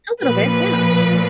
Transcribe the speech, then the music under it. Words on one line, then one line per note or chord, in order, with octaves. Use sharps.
A little bit, yeah.
A#2 F3 B4